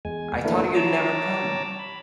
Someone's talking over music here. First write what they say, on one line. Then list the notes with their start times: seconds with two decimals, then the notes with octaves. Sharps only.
I thought you'd never come!
0.05 E2 G#3 G#5
0.45 A3 A#3 D4 E4 A4 B4
0.75 C#5 A5 A#5 D6 E6
1.79 B5